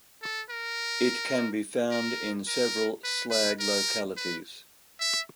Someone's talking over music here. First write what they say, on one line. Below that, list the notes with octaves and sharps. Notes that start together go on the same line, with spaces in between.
It can be found in several slag localities.
A4
A#4
A#4
A#4
B4
B4
A#4
B4
E5